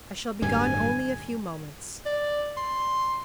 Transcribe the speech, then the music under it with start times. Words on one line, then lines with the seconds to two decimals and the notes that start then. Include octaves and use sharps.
"I shall be gone only a few moments."
0.42 D1 G2 G3 G#5
2.06 D5
2.57 C6